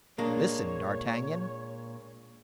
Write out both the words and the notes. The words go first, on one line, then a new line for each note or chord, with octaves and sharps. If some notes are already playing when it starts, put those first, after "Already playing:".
Listen, D'Artagnan.
A#2 G#3 A#3 D4 C#5